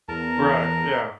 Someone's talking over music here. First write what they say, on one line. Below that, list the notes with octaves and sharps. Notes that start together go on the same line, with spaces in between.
Right, yeah.
E2 A#4 A5 A#5